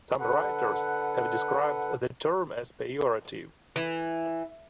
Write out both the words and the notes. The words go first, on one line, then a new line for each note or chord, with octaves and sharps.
Some writers have described the term as pejorative.
D3 A4 B4 F#5
E3